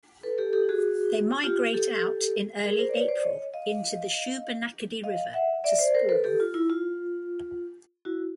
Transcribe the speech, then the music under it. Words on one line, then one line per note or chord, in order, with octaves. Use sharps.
They migrate out in early April into the Shubenacadie River to spawn.
A4 B4
G4 A4
G4 A4
F#4 G#4
F4 G4
G4 A4
G#4 A#4
A#4 C5
D5
B4 C#5
C5 D5
C#5 D#5
D#5 F5
D#5 F5
E5 F#5
D5 E5
C5 D5
A#4 C5
A4 B4
G4 A4
F4
E4
F4
E4 F#4